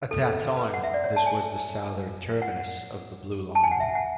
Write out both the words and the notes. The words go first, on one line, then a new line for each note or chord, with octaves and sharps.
At that time, this was the southern terminus of the Blue Line.
A4
B4
F#5
E5
D5
C#5
A5
G#5
F#5
A5
G#5
F#5
E5
F#5